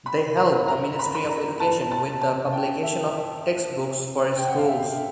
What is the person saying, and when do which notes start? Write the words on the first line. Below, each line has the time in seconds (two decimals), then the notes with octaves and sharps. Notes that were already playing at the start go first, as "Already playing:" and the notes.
They helped the Ministry of Education with the publication of text books for schools.
0.06 B5
0.37 A#5
0.68 A#5
0.99 B5
1.15 B5
1.30 A#5
1.60 A5
1.91 A5
2.21 A5
2.53 G5
2.83 E5
4.36 G5
4.47 F#5
4.58 F5
4.68 E5